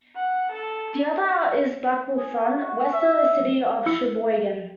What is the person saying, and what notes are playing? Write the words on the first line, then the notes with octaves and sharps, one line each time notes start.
The other is Blackwolf Run, west of the city of Sheboygan.
F#5
A4
G#4
F#4
E5
E4 E6 C#7